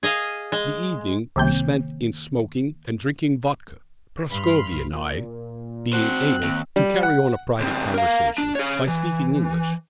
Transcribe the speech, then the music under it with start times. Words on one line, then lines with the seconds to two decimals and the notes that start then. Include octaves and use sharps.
The evening we spent in smoking and drinking vodka, Prascovie and I being able to carry on a private conversation by speaking English.
0.03 G#4 D#5 F5
0.52 G#3
1.36 C2 C3 D#3 A#3 G6
4.30 G2 B5 C6 F6
4.93 A#2
5.93 C4 F#4 C5 F#6
6.43 D#2
6.76 G3
7.03 F#5
7.60 C#2 C4
7.94 A#4 F5
8.38 D4
8.55 G#4 C#5
8.88 E3